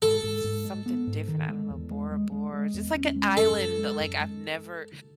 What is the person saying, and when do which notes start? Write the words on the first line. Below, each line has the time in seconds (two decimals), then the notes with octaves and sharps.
s something different. I don't know, Bora Bora. Just like a island that, like, I've never
0.02 G#2 A4
0.23 G#2
0.44 G#2
0.65 G#3
0.86 B3
1.07 G#2
1.28 D#3
1.49 G#3
1.70 E2
1.91 G#3
2.12 G#3
2.32 G#3
2.53 G#3
2.74 E2
2.95 C#4
3.16 G#3
3.37 F#2 A4
3.57 F#2
3.79 G#3
4.00 F#2
4.20 G#3